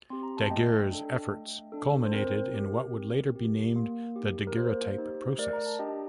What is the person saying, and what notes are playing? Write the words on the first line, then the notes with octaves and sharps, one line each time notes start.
Daguerre's efforts culminated in what would later be named the daguerreotype process.
C4 G4 C6
A#5
A5
A3 D#5 G5
D4 A4
A3
D4 A4
C5
C4 A#4
G4
C4
G4
A#3
D#4 G4
A#4
A#3 C5
D#4 G4
A3 A#4 D5
A#5
A5
D4 G4 D#5 G5